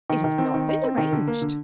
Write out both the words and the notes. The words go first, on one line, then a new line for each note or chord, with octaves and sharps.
"It has not been arranged."
D#3
D#3
C4
D#3
D#4
C4
D#3
D3
A#3
D3